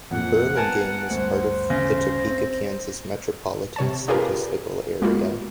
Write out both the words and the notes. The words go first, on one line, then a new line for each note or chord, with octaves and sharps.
Burlingame is part of the Topeka, Kansas Metropolitan Statistical Area.
F2 A#2 F#5
B3 A#4 G#5 A5
D2 G2 C5
C#3 A#6
C4
C3 C#5 A5
D4 F4 G4 G#4 A#4 B4
G#3 A#3 B3 F4 F#4